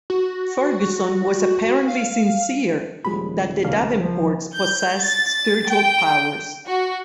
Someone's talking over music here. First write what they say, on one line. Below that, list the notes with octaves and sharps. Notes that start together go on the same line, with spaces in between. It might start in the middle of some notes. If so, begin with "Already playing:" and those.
Ferguson was apparently sincere that the Davenports possessed spiritual powers.
F#4
F5
D#1 F3 G3 G#3 B5
C#2 A3 A#3 C#4 D4 A#4 F5
F3
G6
A6
G5
F#4